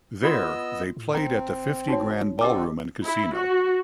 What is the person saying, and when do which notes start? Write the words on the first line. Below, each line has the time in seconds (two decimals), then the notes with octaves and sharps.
There, they played at the Fifty Grand Ballroom and Casino.
0.23 B3 F4 D#5 B5 C6 E6
0.97 A2
1.14 G1 C4 G5 A#5
1.88 G1 D#4 F#4 C#5
2.41 D3 C4 G4 A4 D#5 D6
3.03 E4
3.35 F#4